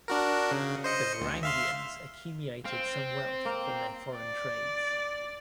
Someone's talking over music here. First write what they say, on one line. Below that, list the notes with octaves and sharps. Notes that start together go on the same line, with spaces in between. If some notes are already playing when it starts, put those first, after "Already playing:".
The Varangians accumulated some wealth from their foreign trades.
D4 F#4 A#4
C#3
C5 D#5 C#7
D2
E5 F5 C6
C4 F5
A#3 F5
D5